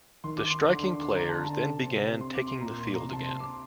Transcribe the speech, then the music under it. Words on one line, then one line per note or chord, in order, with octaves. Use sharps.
The striking players then began taking the field again.
D#3 C6
D6
C6
D3 D6
C6
C6
A#5
A5
A#5
A5
C3
C6
D6
C6
A#2 A#5
C6
A#5
C3 C6
A5
C6
D6